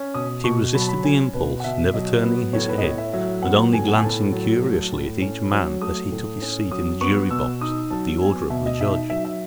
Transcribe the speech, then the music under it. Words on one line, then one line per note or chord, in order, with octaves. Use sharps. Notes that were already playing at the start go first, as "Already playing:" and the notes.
But he resisted the impulse, never turning his head, and only glancing curiously at each man as he took his seat in the jury box at the order of the judge.
Already playing: C#4
B2 D#6
B2 C#6
F#3 B5
A5
B5
C#4 G#5
B2 B4
F#5
B2 E5
F#3 D#5
B3 B4
A2 C#5
B4
D#5
A2 C#5
E5
F#3 E5
B3 F#5
A2 G#5
F#5
G#5
A2 A5
F#3
A3
A2
C#4
F#3
A3 D#6
A2
C#4
F#3 D#6
B3 C#6
B2 E6
D#4 D#6
F#3 A5
B3 G#5
B2 E5
D#5
D#4 E5
F#3 E5
E5